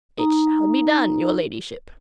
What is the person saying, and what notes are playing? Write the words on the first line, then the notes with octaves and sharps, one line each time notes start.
"It shall be done, your ladyship."
D#4 A#5